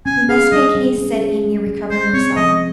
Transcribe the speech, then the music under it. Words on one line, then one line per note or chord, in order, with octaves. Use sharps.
'We must make haste,' said Amy, recovering herself.
C#4 G#5
G#4 F5
G3 D#5
G3
C#4
G#4
G3
G3
G#3 C5
C4 C#5
F3 D#5